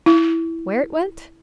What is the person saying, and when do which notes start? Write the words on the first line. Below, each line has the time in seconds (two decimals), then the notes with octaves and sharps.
"Where it went?"
0.06 E4